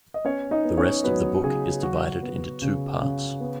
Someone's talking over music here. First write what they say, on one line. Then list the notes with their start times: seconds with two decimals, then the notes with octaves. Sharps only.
The rest of the book is divided into two parts.
0.14 D#5
0.25 B3 C#4 C#5
0.51 D#4 D#5
0.65 B3
0.78 C#4 C#5
1.04 F#3 B3 B4
1.43 C#3 G#4
1.82 F#3 F#4
2.23 B3
2.62 C#3
3.02 C#3
3.40 B3